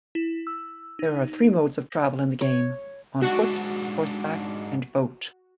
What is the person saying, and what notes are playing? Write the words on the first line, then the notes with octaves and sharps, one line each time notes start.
There are three modes of travel in the game: on foot, horseback, and boat.
E4
E6
D#4
C#5
G#2 D4 F#4